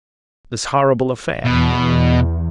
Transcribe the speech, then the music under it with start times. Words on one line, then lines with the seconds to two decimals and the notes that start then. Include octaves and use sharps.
This horrible affair.
1.45 E2 B2